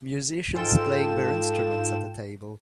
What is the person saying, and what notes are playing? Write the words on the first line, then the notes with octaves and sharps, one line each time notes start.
Musicians playing their instruments at a table.
G#2 F4 A4 G5 E7